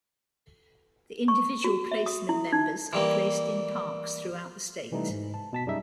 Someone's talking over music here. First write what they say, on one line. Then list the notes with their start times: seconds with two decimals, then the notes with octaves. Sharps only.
The Individual Placement members are placed in parks throughout the state.
1.28 C#6
1.64 F#4
1.91 E5
2.06 D#6
2.29 E4
2.52 D#4
2.93 E3 G3 A#3
4.92 C3 E3 G3 A3 D#4
5.09 G#2
5.34 A5
5.53 B2 A5 B6
5.67 F#2 G3 D#4 G#4 E5